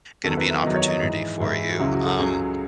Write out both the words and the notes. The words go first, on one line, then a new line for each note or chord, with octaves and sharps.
gonna be an opportunity for you. Um,
E2 D#3 F#3 A4
B4
E5
E2 D#3 F#3 D#5
C#5
D#5
G#2 E3
G#2 E3 E4
F#4
C#2 C#3 F#3 E4
F#4
A4
C#2 C#3 F#3 G#4